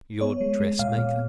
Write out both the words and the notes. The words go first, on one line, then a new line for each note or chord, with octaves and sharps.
"Your dressmaker?"
B3 C#5
G#3
G#3
A#2 F5
A#2